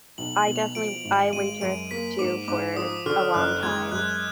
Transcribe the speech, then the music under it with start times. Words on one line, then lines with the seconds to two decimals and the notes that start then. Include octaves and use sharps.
I definitely I waitress too for a long time,
0.18 B1 F#7
0.37 F#7
0.47 B2
0.56 F7
0.75 F3 D7
1.05 G#1
1.33 G#3 D#7
1.61 F#2 D7
1.91 A#3 B6
2.19 G#2 D6
2.48 G#2 D6
2.77 F3 D#6
3.06 D3 F6
3.34 F#1 F#6
3.63 G#3 G#6
3.92 F#2 F#6